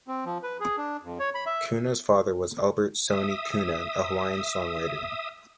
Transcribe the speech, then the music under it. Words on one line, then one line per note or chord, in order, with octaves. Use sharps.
Cunha's father was Albert "Sonny" Cunha, a Hawaiian songwriter.
C4
F3
B4
G#4
D4
F2
C#5
B5
E5
E5 D#6